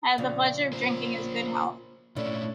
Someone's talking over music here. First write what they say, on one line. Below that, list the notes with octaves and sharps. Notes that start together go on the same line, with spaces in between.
I have the pleasure of drinking his good health.
A#2 C#3 F3
A#3 C5
A#2 A3 C#4 D4 E4